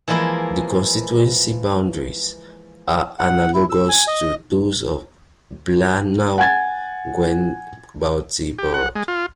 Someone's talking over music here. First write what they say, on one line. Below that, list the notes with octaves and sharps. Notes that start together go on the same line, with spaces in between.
The constituency boundaries are analogous to those of Blaenau Gwent county borough.
E3 F3 G#3 A#3 E4
F#5
E4
E6
G#5
D#5
F#5 G#5 G#6 A6
G4
F#5
G#3
F4